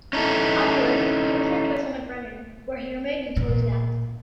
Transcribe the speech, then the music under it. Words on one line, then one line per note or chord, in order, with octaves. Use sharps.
Afterwards, he returned to his home at Bremen, where he remained until his death.
C#4 D#4 E4 A4
A#2